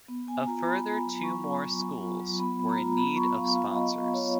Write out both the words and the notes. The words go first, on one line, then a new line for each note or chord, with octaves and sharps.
A further two more schools were in need of sponsors.
B3
B3 G#5
F4 A#5
B3 B5
B3
F#3
F#3 C#6
F#3
F#3
F#3
F4
F#3
B3 B5
B3
A#5
F4
B3 B5
B3 C#6
B3 F5
F4 F5
F4 D#5
B3
F4 C#5